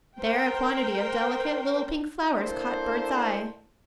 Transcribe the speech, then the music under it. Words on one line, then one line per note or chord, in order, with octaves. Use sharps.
There a quantity of delicate little pink flowers caught Bert's eye.
A#4 C5 G5
A#3 D4 E4 A4 C5